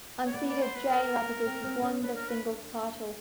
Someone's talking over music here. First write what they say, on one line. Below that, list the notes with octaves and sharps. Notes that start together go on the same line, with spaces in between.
Unseeded Jay Lapidus won the singles title.
C#5
B3 D5
D5
C5
B4
A#4
C4
C4
C#4
D4 B4
A#4
B4